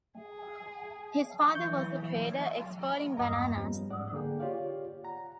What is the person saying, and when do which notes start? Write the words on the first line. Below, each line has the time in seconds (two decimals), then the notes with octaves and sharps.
His father was a trader, exporting bananas.
0.18 G#4
1.51 E3 C#6 G6
3.17 E2 G2 A#3 D#5 A#5
3.57 F3 G3 B3 C#4
3.90 G#2 D5 F#5
4.12 D3 A#3 G#4 G5
4.39 F4 G4 C#5 D5 F5
5.04 F#5 A#5